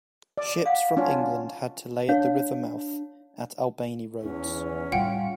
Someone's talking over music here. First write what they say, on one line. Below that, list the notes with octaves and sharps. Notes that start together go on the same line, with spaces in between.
Ships from England had to lay at the river mouth at Albany Roads.
D5
F5 F#5
C#4 D4 F4
D4 C#5 F5
E2 C#4
A2 G3 F4 F#5 G5